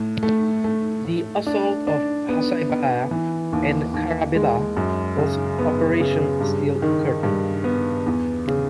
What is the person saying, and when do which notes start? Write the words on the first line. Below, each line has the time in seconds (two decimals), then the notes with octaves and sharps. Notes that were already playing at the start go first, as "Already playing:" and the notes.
The assault of Husaybah and Karabilah was "Operation: Steel Curtain".
Already playing: A2
0.23 A3
0.64 A3
1.05 A2
1.47 D4
1.87 D4
2.29 B3
2.69 B3
3.11 E3
3.53 D#2
3.94 D#2
4.35 G#3
4.77 F#2
5.18 C#3
5.59 B3
6.00 C#3
6.40 G2
6.82 D#3
7.23 G2
7.64 B3
8.06 E2
8.48 C#3